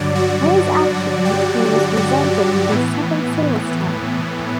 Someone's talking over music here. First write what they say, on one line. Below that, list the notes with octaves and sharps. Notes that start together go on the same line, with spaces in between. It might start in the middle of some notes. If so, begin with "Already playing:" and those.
For his actions, he was presented with his second Silver Star.
Already playing: G2 D3 F#3 D5
F#4
G4
F#4
A2 E3 B3